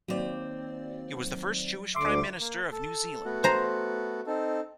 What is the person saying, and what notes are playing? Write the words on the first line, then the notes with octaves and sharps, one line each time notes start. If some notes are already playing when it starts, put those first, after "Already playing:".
He was the first Jewish prime minister of New Zealand.
D#2 F#3 C4 D5
D2 D3 E5 C6 D6
A#3
A4
A3 B3 F#4
C5 A#5
C4 D#4 A4